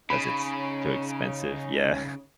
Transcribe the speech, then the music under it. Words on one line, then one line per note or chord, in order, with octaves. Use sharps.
'cause it's too expensive. Yeah.
C#3 C#4 D#4 B5